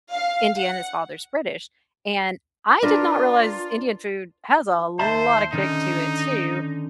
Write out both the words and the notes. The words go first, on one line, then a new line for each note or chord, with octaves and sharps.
Indian, his father's British, and I did not realize Indian food has a lot of kick to it too,
F5
F#5
D4 F4 A#4 B4
D#2 C5 E5 A5
D3 D#3 C#4 D#4